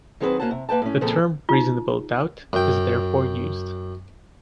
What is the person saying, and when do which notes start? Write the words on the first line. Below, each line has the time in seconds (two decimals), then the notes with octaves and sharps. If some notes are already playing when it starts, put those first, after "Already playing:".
The term "reasonable doubt" is therefore used.
0.20 D#3 F#3 C4 G#4 A4 B4
0.39 A#3 C#4 F#4 C5 A5
0.51 C3
0.69 A#3 B4 G5 A5
0.82 A2 C#4
1.01 F2 A#2 C#3 F3 C4 A4
1.49 D#4 F4
2.53 F#2 G5